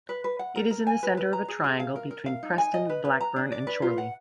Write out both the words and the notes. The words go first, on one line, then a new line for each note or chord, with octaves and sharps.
It is in the centre of a triangle between Preston, Blackburn, and Chorley.
B4
B4
F#5
A#4
A#4
G#5
B4
B4
A#5
G#4
G#4
F5
A#4
A#4
F5
D#4
G#5
D#5
B4
B4
A#5
D4
D5
B4
F4
F#5